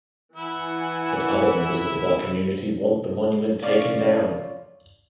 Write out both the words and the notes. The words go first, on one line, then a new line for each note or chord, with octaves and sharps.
But other members of the Black community want the monument taken down.
E3 E4 F#5 G#5
C#4 F4 D5